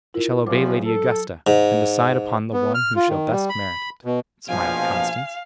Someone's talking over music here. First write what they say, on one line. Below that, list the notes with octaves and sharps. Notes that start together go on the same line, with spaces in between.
"I shall obey Lady Augusta, and decide upon the one who shall best merit it," smiled Constance.
E4 F4 A#4
F#1 E2 F3 F#3 C5 D6
A4
G#2
B3
F6
F4
D#3
G3
B5
B2
A#1 B2 F3 F5 G#5